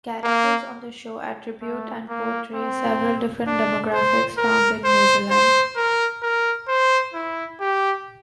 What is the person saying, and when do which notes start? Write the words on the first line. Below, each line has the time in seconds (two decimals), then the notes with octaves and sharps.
Characters on the show attribute and portray several different demographics found in New Zealand.
0.24 A#3
1.62 A3
2.09 A#3
2.55 C4
3.47 D4
3.93 C5
4.38 A#4
4.84 C5
5.31 C5
5.76 A#4
6.22 A#4
6.68 C5
7.14 E4
7.61 G4